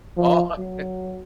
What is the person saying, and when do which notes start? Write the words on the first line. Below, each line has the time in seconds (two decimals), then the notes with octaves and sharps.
Oh, okay.
0.17 F3
0.58 F#3